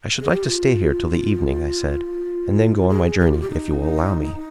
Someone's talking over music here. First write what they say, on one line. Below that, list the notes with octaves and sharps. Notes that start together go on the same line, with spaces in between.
"I should like to stay here till the evening," I said; "and then go on my journey, if you will allow me."
G#4
G4
F4
G#4
G#4
G4
F4
G4
D#4